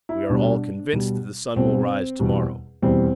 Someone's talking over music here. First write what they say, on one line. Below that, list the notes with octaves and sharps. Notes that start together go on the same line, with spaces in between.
We are all convinced that the sun will rise to-morrow.
E4
B2 G3 D4
B2 G3
B2 G3 C4
E2 B2 G3
E2 B2 G3 C4